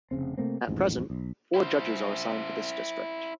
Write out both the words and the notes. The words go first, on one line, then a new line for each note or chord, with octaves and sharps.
At present, four judges are assigned to this district.
F1 B1 C#3 C4
C3 A3 A#3 C4
D#1 A1 F2 G#2
B1
E4 C5